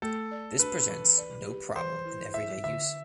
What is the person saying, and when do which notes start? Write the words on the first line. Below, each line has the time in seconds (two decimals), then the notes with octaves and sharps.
This presents no problem in everyday use.
0.02 A3 A4
0.31 D5
0.59 D4 B4
0.89 E3
1.18 D5
1.47 G4
1.76 E3 C5
2.05 E4
2.34 E4 E5
2.64 D3 E5